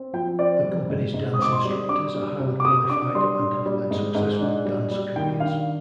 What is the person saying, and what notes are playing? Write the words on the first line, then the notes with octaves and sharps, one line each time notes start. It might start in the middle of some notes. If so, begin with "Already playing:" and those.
The company's dance instructors are highly qualified and have led successful dance careers.
Already playing: C4
F3 G5
C4 D5
G3
G#2
G#2
D#6
C4 D6
C6
G3
D4 D6
G3
C3
D6
C3 D#6
D4 D6
G3 C6
D4
G3
G#2
G#2
D4
G3
G3
D#3 G5
D4 F5